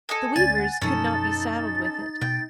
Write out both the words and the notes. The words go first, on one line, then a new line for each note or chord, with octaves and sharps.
The weavers could not be saddled with it.
A4 D#5 G#5
D2 D3 C#4 D5 G#5 A6
F#5
F#2 B2 F3 C#4 D#4 A4
B2 G5